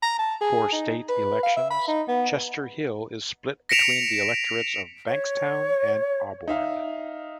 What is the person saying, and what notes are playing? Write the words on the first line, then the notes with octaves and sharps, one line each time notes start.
For state elections, Chester Hill is split between the electorates of Bankstown and Auburn.
A#5
A5
G#4
D#4
B4
F5
E5
B5
D#4
B3
A#6 B6 C#7 D7 E7 F7
C#5
D#4 E5 F5